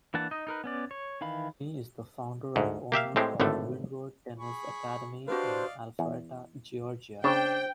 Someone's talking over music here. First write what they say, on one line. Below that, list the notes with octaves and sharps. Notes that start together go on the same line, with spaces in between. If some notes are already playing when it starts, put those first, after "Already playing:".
He is the founder and owner of Windward Tennis Academy in Alpharetta, Georgia.
E3 A#3 D4 F#5 A5
D#4 D#5
D#4 A#4 B4
B3 C#4 D5
C#5
D#3 E3 F5 B5
D2 G#2
A#3 G4 E5 F5
A2 G#3 C4 G4
G#1 A2 D3 A3 A4
G#4 B5 C#6
D4 F#4 G4 B4 C5 D5 D#5 F5
E2
C#3 D4 C5 G5